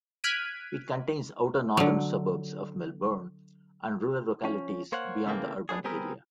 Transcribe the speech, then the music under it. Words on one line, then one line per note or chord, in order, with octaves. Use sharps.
It contains outer northern suburbs of Melbourne and rural localities beyond the urban area.
F6 F#6 G#6 B6 D7 D#7
D3 F#3
F3 C#4
A#3 C5 C#5 F5 F#5
C#3 E3 A3 A#3 C4
B3 D4 F#4 G#4
G3 B3 C4 G#4 A#4 B4